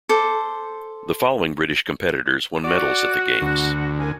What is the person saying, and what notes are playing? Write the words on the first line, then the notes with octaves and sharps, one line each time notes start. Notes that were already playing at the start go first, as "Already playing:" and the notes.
The following British competitors won medals at the Games.
A4 C5 D6
F#4 D5
D2
C2 A#4 G#5